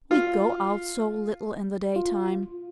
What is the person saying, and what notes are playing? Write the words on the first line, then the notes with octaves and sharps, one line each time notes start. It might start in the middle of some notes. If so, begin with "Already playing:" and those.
"We go out so little in the daytime."
F4
F4